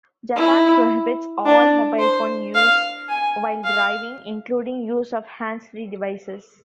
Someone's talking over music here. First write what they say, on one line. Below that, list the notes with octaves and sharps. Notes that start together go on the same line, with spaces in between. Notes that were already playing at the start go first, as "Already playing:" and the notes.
Japan prohibits all mobile phone use while driving, including use of hands-free devices.
E4
D4
C5
F5
G#5
F5